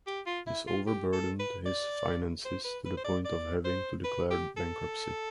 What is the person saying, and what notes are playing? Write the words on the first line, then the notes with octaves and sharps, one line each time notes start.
This over burdened his finances to the point of having to declare bankruptcy.
G4
F4
E4
F4
G4
A4
B4
D5
C5
B4
B4
C5
D5
D5
C5
B4
G4
A4